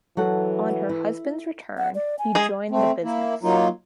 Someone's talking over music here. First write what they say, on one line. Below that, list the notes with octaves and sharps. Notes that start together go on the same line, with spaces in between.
On her husband's return, he joined the business.
E3 F#3 A4 F#5
E4
F#5
D5
G#5
G#3 G#4
A3 C4
A#3 E4
F#3 A#3 D#4 F4